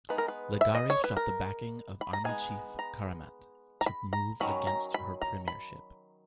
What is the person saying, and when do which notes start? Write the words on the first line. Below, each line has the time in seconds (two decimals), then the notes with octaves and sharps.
Leghari sought the backing of the Army Chief, Karamat, to move against her premiership.
0.09 G#3 B3 D#4 B4
0.18 A#4
0.28 B4
0.61 E5
0.75 D#5
0.90 C#5
1.04 B4
1.17 A#4
2.01 B5
2.13 A#5
2.24 G#3 B3 D#4 G#5
2.79 A#5
3.81 A#5
3.86 B5
4.13 A#5
4.40 D#3 F#3 C#4 B5
4.67 A#5
4.94 B5
5.22 A#5
5.48 B5